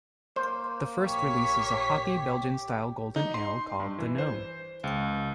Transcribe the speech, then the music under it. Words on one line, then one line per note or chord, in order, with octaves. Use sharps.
The first release is a hoppy Belgian-style golden ale called The Gnome.
A#3 C5
A#1 G4 C#5 B6
D#4
C6
G2
E3
C5
C#2